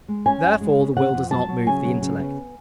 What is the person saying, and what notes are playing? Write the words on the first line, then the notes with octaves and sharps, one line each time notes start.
Therefore the will does not move the intellect.
G#3
C#4 G#5
F#2
G#3
C#3
C#3 F#5
F2
F#3 A5
F#3
C#3 G#5
F#3
C#3
B3